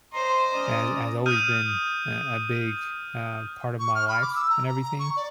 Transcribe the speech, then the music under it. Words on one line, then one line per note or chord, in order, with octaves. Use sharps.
has has always been, uh, a big, uh, part of my life and everything.
C5 D#5 A#5 C6
C#4 D5 A#5 D#6
D#6 F6 G6 D#7
C#6
F6
B5
D6
E6
A#5
A#5
A#5
C#6
D5